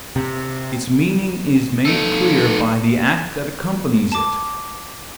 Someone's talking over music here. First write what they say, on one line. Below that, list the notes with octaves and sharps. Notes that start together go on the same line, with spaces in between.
Its meaning is made clear by the act that accompanies it.
C3
D#4 A4
A5 D6